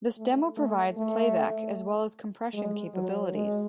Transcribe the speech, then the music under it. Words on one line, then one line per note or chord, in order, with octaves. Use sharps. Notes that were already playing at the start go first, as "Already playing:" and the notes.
This demo provides playback as well as compression capabilities.
A3
A3
A3
G#3
F#3
G#3